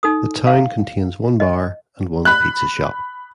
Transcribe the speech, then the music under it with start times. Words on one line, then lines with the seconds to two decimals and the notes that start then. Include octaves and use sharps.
The town contains one bar and one pizza shop.
0.03 D#4 A4 D#6
0.47 F5
1.40 D#5
2.25 B5 F#6